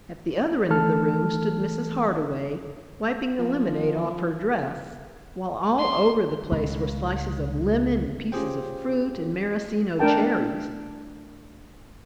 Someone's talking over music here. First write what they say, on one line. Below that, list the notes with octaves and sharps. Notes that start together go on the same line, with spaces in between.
At the other end of the room stood Mrs. Hardway, wiping the lemonade off her dress, while all over the place were slices of lemon and pieces of fruit and Maraschino cherries.
E3 A3 A4 A5 F6
F3
C6
C#2 A2
C#4 F4 G4 G#4 C5 G5
A3 D4 A#4 G5 A5